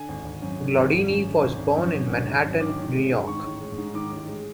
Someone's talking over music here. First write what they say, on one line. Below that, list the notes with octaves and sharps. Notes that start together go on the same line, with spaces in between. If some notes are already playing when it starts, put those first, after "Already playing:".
Glaudini was born in Manhattan, New York.
Already playing: D3 G#5
G#1
G#1
F#2
D3
G#1
G#1
F#2
D3
G#1
G#1
F#2
D3
G#1
G#1
F#2
D#3 D6
A1
G#3
G#2
D#3 C#6
A1
G#3
G#2
D#3 D6
A1
G#3